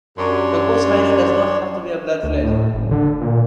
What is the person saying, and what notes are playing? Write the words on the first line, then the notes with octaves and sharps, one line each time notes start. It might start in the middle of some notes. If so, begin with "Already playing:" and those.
The co-signer does not have to be a blood relative.
F#2 D4 G4 C#5 C6
D2
A2
F#1
D3
A#2